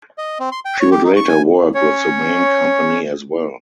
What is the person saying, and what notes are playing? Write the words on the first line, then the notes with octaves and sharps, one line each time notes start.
She would later work with the main company as well.
D#5
C4
C6
G5
C#5
G4
D#4
C#6
G#5
C#4 C#5